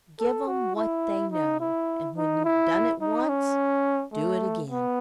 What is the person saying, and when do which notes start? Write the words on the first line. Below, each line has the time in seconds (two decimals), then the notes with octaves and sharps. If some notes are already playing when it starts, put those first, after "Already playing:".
'Give 'em what they know, and when you've done it once do it again.'
0.20 A4
0.47 F#4
0.76 E4
1.32 D#4
1.60 E4
2.17 D#4
2.44 E4
3.01 D#4
3.29 C#4
4.13 A3
4.70 B3